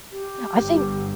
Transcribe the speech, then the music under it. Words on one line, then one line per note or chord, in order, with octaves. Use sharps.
I think
G4
G1